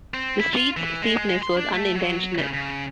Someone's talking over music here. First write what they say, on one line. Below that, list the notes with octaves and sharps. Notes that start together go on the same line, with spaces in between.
The street's steepness was unintentional.
C4
E4
F4
E3
G#3
C6
D4
A3
F#3
C#3
C#3